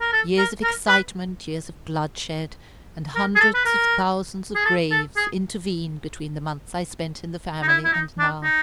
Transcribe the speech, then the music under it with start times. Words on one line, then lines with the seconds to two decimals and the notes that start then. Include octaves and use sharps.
Years of excitement, years of bloodshed, and hundreds of thousands of graves intervene between the months I spent in the family and now.
0.01 A#4
0.13 A4
0.38 A#4
0.63 A#4
0.88 B4
3.15 A#4
3.36 G#4
3.40 A4
3.54 B4
3.66 A#4
4.55 G#4
4.66 A4
4.91 A4
5.16 G#4
7.62 D#4
7.68 E4
7.84 E4
7.93 D#4
8.19 D4
8.43 D#4